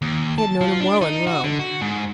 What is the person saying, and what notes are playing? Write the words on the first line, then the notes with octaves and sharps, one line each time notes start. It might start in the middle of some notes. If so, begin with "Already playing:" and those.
He had known him well in Rome.
D#2
A5
F3
D4
D#4
F#4
D3
F#4
G#2